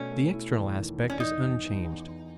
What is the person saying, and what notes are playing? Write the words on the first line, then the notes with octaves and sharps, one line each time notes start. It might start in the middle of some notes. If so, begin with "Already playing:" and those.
The external aspect is unchanged.
Already playing: B2 A3 C#4
A3
E4
E2
D#3
E4
C#4
E2 D#4
E2
E2
E2
E2